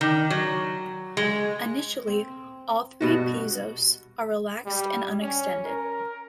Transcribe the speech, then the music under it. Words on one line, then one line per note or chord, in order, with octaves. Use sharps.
Initially, all three piezos are relaxed and unextended.
D#3
F#3
G#3
C4
G2 B2 F#4
G3
C#4
A#4